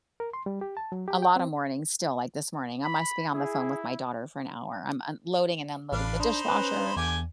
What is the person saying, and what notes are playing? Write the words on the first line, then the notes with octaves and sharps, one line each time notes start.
a lotta mornings still, like, this morning, I must have been on the phone with my daughter for an hour, I'm unloading and unloading the dishwasher,
A#4
C6
G3
G4
A5
F#3
G4
G5
C4
B5
E4 G#4
A1 D4 B4 F5
D4 D#4 C5 B5
C#4 B4
E2 D3 G4 G#5